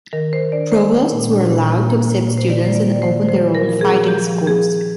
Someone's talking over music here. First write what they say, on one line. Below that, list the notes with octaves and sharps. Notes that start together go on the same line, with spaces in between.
Provosts were allowed to accept students and open their own fighting schools.
D#3 A#4
D#3 C5
D4 D5
A#3 C5
G#3
A#2
D4
A#2
A#3
A#3
A#2
A#2
C5
D#3 D5
A#3 C5
D5
G3
D5
C5
D#3
F3 C5
F3
A#4
F3
G#4
C4
F3 G4
F3
F3 G#4
F3